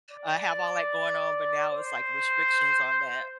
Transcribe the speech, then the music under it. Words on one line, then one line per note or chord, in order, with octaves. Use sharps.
uh, have all that going on, but now it's, like, restrictions on that.
D5
C5